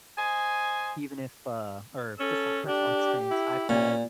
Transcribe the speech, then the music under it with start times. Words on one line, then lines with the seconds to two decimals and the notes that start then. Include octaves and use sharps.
even if, uh or just from personal experience, I've had,
0.17 C5 D#5 G#5
2.20 C#4 A4
2.68 D4 G4
3.31 E4
3.69 A#2 C#4